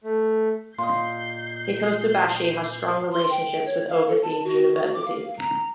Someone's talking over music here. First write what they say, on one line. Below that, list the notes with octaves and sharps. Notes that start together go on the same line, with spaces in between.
Hitotsubashi has strong relationships with overseas universities.
A3
A#2 D#5 F5 C6 G6 C7
C6
G5
C#5
F5
A4
A5
F#4
D6
F5
A#5